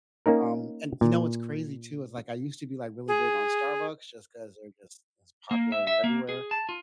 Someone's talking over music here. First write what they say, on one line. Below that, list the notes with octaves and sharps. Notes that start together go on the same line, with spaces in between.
um, and you know what's crazy too? Is, like, I used to be, like, really big on Starbucks just 'cause they're just just popular and everywhere,
A#3 C#4 D#4 A#4
A#2
G#4
A#3
E5
E5
A#3
G#4
A5
F4